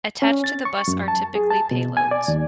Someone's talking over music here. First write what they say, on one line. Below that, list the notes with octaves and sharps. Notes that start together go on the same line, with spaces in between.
Attached to the bus are typically payloads.
C#4
A6
C#6
F#2
A5
G#4
A5
B2
G#5
D5
D#2